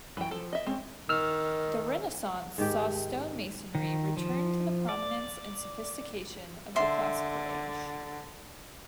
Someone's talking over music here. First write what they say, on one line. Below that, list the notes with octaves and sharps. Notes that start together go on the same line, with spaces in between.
The Renaissance saw stonemasonry return to the prominence and sophistication of the Classical age.
F#2 E3 F#3 G5
F3 A4
D#5 E5
G#3 C4 C#4
D#3 E6 F6
G#2 D#3 G4
D#3
F3
D5
D3 E5 C6